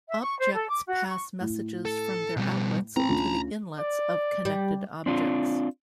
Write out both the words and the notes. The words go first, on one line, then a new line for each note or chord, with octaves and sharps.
Objects pass messages from their outlets to the inlets of connected objects.
E5
C#6
C5
A4
D6
F#4
C#6
A2
A4
B2 G3
C4 A#5 B5
D2 C#4 F4
D5
G3
C4 D4 F4